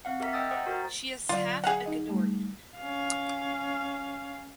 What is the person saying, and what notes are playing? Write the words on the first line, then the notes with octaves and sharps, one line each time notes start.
She is half Ecuadorian.
C4 F5 F#5
G4 A#4 E5 A#5 B6
D#5 G5 D#6 E6 A6
C5 F#5 G5 A#5 D#6
F#4 A#4 A#5 A6
D3 F#3 F4 D5
G#4 F5 F#5
D#4 D#5
G3 A3
C#4 F5